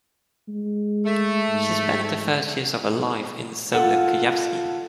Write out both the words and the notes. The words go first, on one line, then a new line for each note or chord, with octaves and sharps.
She spent the first years of her life in Solec Kujawski.
G#3
A3
G#2
F4 A4 F#5